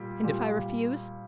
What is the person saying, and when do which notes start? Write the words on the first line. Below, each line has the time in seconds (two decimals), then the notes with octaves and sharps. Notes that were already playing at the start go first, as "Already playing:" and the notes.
"And if I refuse?"
Already playing: A#2 G3
0.24 A#2 G3